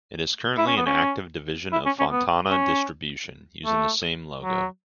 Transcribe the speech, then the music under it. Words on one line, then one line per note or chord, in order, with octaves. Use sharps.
It is currently an active division of Fontana Distribution, using the same logo.
E4
C#4
B3
C#4
E4
C#4
C#4
B3
C#4
A3
F#3